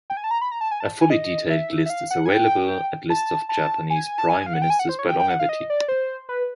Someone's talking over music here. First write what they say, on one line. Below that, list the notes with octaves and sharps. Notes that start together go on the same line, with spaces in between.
A fully detailed list is available at List of Japanese prime ministers by longevity.
G5
G#5
A5
A#5
B5
A#5
A5
G#5
A5
G#5
D#5
E5
E5
F5
F#5
G#5
G5
A5
A5
G#5
A5
G#5
F5
F#5
G5
G#5
F#5
C5
C#5
G5
G5
F#5
F5
D#5
D5
C5
B4